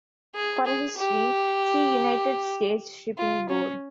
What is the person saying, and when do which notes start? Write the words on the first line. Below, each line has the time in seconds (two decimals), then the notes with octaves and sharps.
For a history, see United States Shipping Board.
0.35 G#4
0.66 G#4
0.98 G4
3.18 F4
3.49 C#4